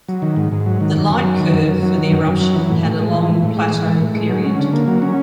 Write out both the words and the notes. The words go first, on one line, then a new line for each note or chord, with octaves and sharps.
The light curve for the eruption had a long plateau period.
F#3
D#3
G#2
G#2
F#3
D#3
F#2
F#2
F#3
D#3
F#2
F#2
F#3
D#3
F#2
F#2
F#3
E3
A2
A2
G#3
E3
A2
A2
G#3
E3
A2
A2
G#3
F#3
C#4
D3
A#3
F#3
C#4